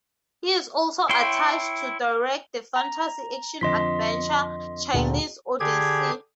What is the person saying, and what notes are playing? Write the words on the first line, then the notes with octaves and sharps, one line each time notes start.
He is also attached to direct the fantasy action adventure "Chinese Odyssey".
E4 C#5 G5 C6
A#5
F2 D3 F3 D#5 C6 B6
D2 A#2 D3 F#4 G#4 G5
D3 G4 G#4 G#6